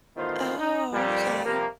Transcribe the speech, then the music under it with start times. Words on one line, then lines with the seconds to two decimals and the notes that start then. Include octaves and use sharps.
Oh, okay.
0.16 A1 D#3 A3 B3 F4 C5
0.57 D#4
0.92 F2 A#2 G3
1.44 C3 F3 G3 A#3